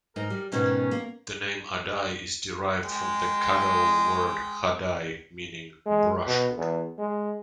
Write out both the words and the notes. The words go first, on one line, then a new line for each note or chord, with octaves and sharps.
The name "Adai" is derived from the Caddo word "hadai" meaning 'brushwood'.
G#2 D#4 A#4
G3
G#2 B2 D#3 C#4
A#3
G#3 G5
G#3
B2
E2
G#3